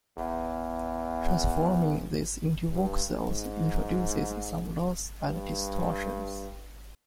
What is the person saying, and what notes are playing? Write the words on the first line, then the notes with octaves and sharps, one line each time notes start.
Transforming this into voxels introduces some loss and distortions.
E2
G2
G#2
G2